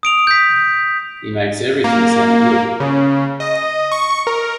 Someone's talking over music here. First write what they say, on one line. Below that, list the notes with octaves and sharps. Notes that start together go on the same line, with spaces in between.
He makes everything sound good.
D#6 D7 F7
G6 B6
A#3
C#3
D#5
C#6
A#4